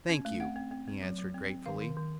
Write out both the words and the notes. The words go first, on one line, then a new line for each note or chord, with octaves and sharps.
"Thank you," he answered gratefully.
C#4
A3
C4 F#5
C4
C4
C4
F#3
F#3
C4
C4
D#3 F5
D#3
D#3